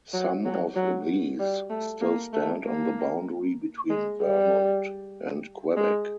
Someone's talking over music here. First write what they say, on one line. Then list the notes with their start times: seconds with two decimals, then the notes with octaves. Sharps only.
Some of these still stand on the boundary between Vermont and Quebec.
0.14 F#3
0.45 F#3
0.76 F#3
1.39 G3
1.70 A3
2.01 A#3
2.33 A3
2.65 A#3
3.90 G#3
4.21 G3
5.77 G#3